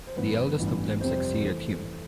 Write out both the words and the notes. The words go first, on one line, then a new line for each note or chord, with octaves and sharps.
The eldest of them succeeded him.
C5
G2 E3 B3 B4
A1 G2 E3 B3
F2 C3 G3 C4 C5
E3 A3